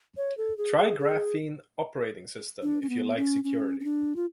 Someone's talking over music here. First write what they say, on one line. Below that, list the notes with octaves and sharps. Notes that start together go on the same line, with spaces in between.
Try Graphene Operating System, if you like security.
C#5
A4
G#4
G#4
G#4
D4
C#4
B3
C#4
C#4
C#4
D4
F4